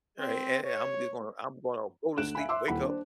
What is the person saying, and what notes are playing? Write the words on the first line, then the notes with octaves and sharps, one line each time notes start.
right? And and I'm just gonna, I'm gonna go to sleep, wake up,
C4
C#5
D2 F#6 D7 E7
E5 F5 G#5 B5
E5 C6 D6 E6
D#1 E4 F#5 B5
D4 C5